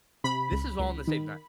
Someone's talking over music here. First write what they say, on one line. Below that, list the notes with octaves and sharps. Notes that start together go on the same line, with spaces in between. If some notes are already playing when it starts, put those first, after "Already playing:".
This is all in the same night
C3 B5
C#2
C#2
D#3